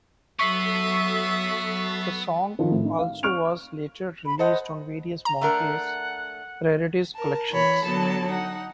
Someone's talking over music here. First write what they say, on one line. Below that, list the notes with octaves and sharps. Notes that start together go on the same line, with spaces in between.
The song also was later released on various Monkees rarities collections.
F#3 B3 A4 E5 C#6 A6 B6 C7
D#3 F3
A2
D#4
F5
C#6 F6 D7 F7
B5
A4 C5 D#5 F#5
A#5
A3 D4 A#4 F#5
A#4 A5
E3 C#5 B5
D3 F#3 B3 A4 A5
D#4 F#5